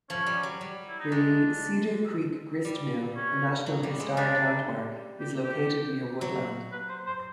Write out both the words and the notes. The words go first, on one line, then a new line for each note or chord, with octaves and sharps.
The Cedar Creek Grist Mill, a National Historic Landmark, is located near Woodland.
F3 C#4
G3
F#3
G3
E4
D#4
G#3 D4
G3
C#4
F#3
G3
G#3
G3 D4
G4
G4
F#3
B4
C5
C5